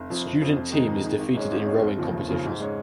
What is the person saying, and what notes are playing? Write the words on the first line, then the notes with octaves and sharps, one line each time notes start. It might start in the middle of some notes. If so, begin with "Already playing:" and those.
The student team is defeated in rowing competitions.
Already playing: F1
F2 F3
F1
F2 F3
F2
D#3 G#3 D#4
F2
D#3 G#3 D#4
G#1
G#2 G#3 C#4
G#1
G#2 G#3 C#4
F1
D#2 C#3 F3
F1
D#2 C#3 F3
G#2
G#3 C#4